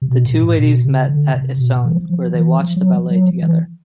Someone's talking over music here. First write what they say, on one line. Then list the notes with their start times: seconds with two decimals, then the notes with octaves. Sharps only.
The two ladies met at Essone where they watched a ballet together.
0.02 C3
0.09 B2
0.25 A#2
0.42 A2
0.58 B2
0.84 C#3
1.09 D3
1.34 C3
1.59 B2
1.76 B2
1.85 E3
1.92 F3
2.09 F3
2.34 E3
2.60 F3
2.76 F#3
2.93 F3
3.10 F#3
3.27 F3
3.43 E3